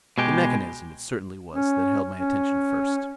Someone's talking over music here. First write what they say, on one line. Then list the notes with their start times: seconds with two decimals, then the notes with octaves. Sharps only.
The mechanism it certainly was that held my attention first.
0.18 B2 G#3 G4
1.54 C#4
2.17 C#4